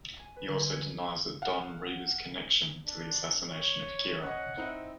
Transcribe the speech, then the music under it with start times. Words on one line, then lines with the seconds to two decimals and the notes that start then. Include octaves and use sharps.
He also denies that don Reba's connection to the assassination of Kira.
0.19 G#5
0.36 B4
0.49 D3
0.72 G#6
1.42 F5 F#5
2.87 D4
3.50 C#5
4.22 C#4 C#5 D#5 F#5
4.57 C4 D#4 E4